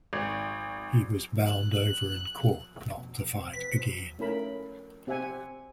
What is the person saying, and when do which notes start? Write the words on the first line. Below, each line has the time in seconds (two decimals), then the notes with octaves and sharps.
He was bound over in court not to fight again.
0.13 G#1
1.46 F#6
2.98 F2 B2
3.34 C4
3.53 B4 B6
3.69 C5
4.19 A3 C#4 E4 A#4 B5
5.07 C4 G4 E5 F#5 G#5